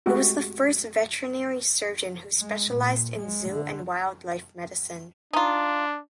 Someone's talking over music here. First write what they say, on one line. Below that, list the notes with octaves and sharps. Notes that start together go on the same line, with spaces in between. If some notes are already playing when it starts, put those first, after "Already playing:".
He was the first veterinary surgeon who specialized in zoo and wildlife medicine.
G#3 A3 C4 F#4 G4
G#3
A#2
G#3
D3
D4 D#4 F4